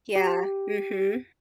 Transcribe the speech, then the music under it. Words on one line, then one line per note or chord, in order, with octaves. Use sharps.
Yeah, mhm.
G4